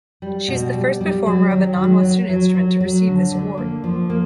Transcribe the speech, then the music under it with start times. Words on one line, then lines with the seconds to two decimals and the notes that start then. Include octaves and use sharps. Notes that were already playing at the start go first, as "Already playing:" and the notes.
She is the first performer of a non-Western instrument to receive this award.
0.22 G3
0.48 B2
0.74 G3
1.01 G3
1.26 F#3
1.51 D#3
1.77 F#3
2.03 F#3
2.29 F#3
2.54 F#3
2.81 F#3
3.07 D3
3.31 D3
3.58 A#3
3.84 F3
4.10 A#3